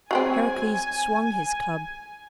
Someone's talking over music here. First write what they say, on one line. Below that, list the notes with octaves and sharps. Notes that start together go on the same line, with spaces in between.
Heracles swung his club.
F#3 G#3 C4 G#5